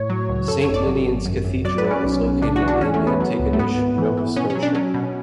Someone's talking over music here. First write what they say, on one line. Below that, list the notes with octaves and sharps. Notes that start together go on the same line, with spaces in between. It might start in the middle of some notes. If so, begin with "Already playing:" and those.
Saint Ninian's Cathedral is located in Antigonish, Nova Scotia.
Already playing: A2 C#5
F#3
C#2
F#2 A4
C#5
G#1
D5
F#3
G#1
F#2
F#2
F#3 D5
B4
F#3
C#4
B1
B1
C#3 D4
F#4
E3
D4
E2 C#4
A3
E2
B3
F#3
C#2
A3
G#2 B3
G#1
E3
E3
B2 C#4
C#4
F#3
D4
F#3 C#4
B2